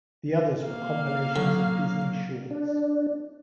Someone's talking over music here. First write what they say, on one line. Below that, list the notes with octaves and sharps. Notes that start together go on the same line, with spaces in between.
The others were compilations of Disney shorts.
A#3 F5
D3 F#3 D#6
D4